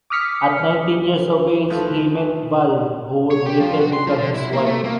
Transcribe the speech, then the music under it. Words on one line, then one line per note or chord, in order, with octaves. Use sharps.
At nineteen years of age he met Val, who would later become his wife.
D6 D#6 F6 B6 C#7
F3 A3 D#4 B4
C#5
G4
F3
F#4
C6
F3
D3
E4
A#3
A3
A#3